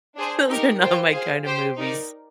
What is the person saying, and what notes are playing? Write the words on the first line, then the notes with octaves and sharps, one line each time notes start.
Those are not my kind of movies.
D4 G#4 C5
D#4 G4 A#4
F4 C5 G5
G#4 C5 F5
G4 C5 G5
D#4 A#4 D5